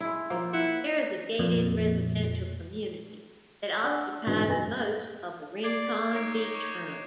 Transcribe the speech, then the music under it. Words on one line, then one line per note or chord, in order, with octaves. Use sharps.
There is a gated residential community that occupies most of the Rincon beachfront.
G#3 E4
F3 A#3 F4
E4 F#5
F2 A#2
D4 F#5 G#5
G#2 B2 D3 E3 F#3
G1 C#3 B3 D#5 G#5 A#6
D5 G#6 C7 D7
D#4 C#5 D6 D7
C#6